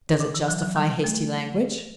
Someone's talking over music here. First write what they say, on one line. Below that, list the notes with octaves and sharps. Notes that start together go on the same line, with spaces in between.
Does it justify hasty language?
D3
E3
F#3
F#3
G3
A3